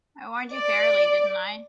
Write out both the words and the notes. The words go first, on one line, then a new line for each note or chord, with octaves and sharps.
I warned you fairly, didn't I?
D5